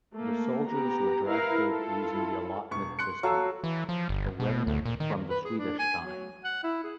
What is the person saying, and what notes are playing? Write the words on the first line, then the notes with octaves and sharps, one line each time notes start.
The soldiers were drafted using the allotment system, a remnant from the Swedish time.
A3 A#3
B3 G4 A#5
E4 A#4 B4 F5
E4 F4 A4
E1 C#6
C6 F#6 C#7
F#3 A4 F5 C#6 E6
E3
F3
G1
B2
D2
A#2
D#3
B4
G#4
D4
G#5
F#3
F#5
E4
G#4